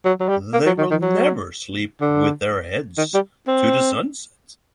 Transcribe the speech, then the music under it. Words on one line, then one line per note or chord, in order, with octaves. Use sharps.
They will never sleep with their heads to the sunset.
F#3
F#3
G3
A#3
F#3
D#3
D#3
F#3
D3
D#3
G3
C4